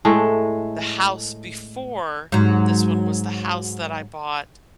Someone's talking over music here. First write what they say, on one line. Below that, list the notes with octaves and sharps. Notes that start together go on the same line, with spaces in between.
the house before this one was the house that I bought,
A2 G#3 A3
G#2 F#3